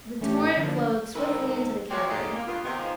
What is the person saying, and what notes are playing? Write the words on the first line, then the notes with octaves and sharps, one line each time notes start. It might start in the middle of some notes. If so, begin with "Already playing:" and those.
The torrent flowed swiftly into the cavern.
A2 E3 A3 C#4 G4
D3 F3 A#3 D4
D#3 G#3 C4 G#4 A#4 B4
G#3 C4 F#4 A#4 C#5 D5
G#3 A3 C#4 D#4 G4 G#4
A#3
G2 D3 B3 F4
C3 D#3 B3
D#3 F3 G#3